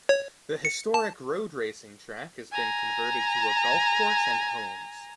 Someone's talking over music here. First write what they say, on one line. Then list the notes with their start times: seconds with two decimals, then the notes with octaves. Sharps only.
The historic road racing track has been converted to a golf course and homes.
0.09 C#5
0.65 C#7
0.94 A5
2.52 G#5 A#5